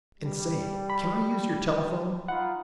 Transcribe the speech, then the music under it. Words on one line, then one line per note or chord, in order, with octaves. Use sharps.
'And say, can I use your telephone?'
G3
B5
D#4 F4 F#5 B5